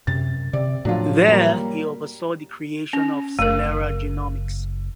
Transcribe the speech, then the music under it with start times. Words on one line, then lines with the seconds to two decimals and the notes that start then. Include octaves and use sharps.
There he oversaw the creation of Celera Genomics.
0.07 F#2 C3 A6
0.53 C3 D5
0.85 A2 F3 F#3 D4 F4
1.26 F#3 G3 A#3
2.93 C#4
3.39 F#1 A3 A#4